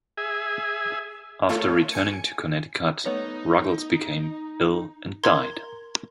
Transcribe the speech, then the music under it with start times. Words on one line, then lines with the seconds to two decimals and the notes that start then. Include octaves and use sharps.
After returning to Connecticut, Ruggles became ill and died.
0.17 G#4 E5 G#5
1.49 A3 A#3 F4 A4 C#5
1.92 G#5 C#7
3.06 A3 B3 D#4 C#5
5.24 A#4 A#5 C6 G#6